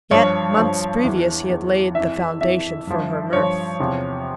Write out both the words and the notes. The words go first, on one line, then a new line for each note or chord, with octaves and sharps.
Yet months previous, he had laid the foundation for her mirth.
G2 F3 C#5
G2 F3
E2 E3
E2 E3
F2 E3 E5
F2 E3 E5
G2 F3
G2 F3 C#5
E2 C3 F3